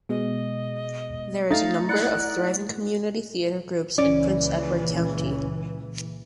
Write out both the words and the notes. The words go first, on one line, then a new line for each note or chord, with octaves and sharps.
There is a number of thriving community theatre groups in Prince Edward County.
B2 G#3 D#5
A3 D#4 F5 A6
E4 D5 F#5 F#6
C#2 A#2 E3 C#4 D5